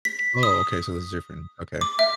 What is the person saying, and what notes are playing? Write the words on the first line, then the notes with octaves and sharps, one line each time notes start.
Oh, okay. So this is different. Okay.
B6
D#6
D6
E5